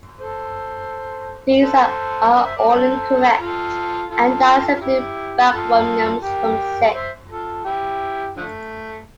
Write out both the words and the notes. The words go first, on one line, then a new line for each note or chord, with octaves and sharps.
These are all incorrect and are simply backronyms from "sic".
A4 C5
A4 C5
A#4 D5
C5 E5
A#4 D5
A4 C5
F4 A4
F4 A4
F4
E4 G4
F4 A4
G4 A#4
C5 E5
F4 A4
E4 G4
D3 F3 A3